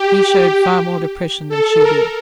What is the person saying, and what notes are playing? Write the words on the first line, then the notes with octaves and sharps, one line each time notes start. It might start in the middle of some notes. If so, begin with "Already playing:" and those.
He showed far more depression than she did.
Already playing: G4
A4
A#4